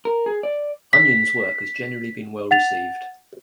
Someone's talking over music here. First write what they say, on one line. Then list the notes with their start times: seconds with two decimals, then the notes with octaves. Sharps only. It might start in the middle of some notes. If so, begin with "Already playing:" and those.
Onions' work has generally been well received.
0.05 A#4
0.26 G#4
0.43 D5
0.93 B6
2.51 F#5 A6 F7